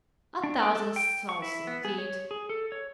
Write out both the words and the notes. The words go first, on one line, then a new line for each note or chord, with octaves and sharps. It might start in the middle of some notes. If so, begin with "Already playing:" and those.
A thousand souls, indeed!
D4
D6
A4
G5
C#6
E4
B3
G#4
C#5
G#4
A4
C#5